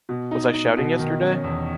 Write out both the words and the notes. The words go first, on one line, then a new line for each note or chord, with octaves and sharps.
Was I shouting yesterday?
B2
D#4
D#4
B2
D#3
C#4
E2